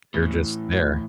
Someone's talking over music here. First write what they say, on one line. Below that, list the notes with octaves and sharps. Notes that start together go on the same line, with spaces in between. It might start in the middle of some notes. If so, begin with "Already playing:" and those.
They're just there.
A2 E3